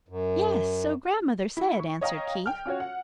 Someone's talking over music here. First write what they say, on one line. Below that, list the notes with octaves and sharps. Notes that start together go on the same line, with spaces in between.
"Yes, so grandmother said," answered Keith.
F#2
E4
C#6
C#5 D#5 F5 G5 A#5
G5 F6
C#4 F4 F#4 C#5
F#5